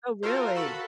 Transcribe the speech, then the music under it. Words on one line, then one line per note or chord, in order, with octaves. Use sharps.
Oh, really?
F4 F#4 A4 A#4 C5
F#4 A4 A5 B5